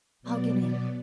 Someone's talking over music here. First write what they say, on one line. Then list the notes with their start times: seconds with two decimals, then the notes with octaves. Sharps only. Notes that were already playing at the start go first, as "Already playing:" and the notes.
I'll get in.
0.22 B2 F#3 B3 D5
0.55 D5